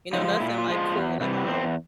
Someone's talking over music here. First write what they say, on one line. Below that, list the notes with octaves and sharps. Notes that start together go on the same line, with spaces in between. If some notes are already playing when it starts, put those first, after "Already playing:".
you know, nothing like cool, like how,
F3 G#3 D#4
A#2 E4
F4
F3 G#3
F4
E2
C3 E3 G3
E2 C4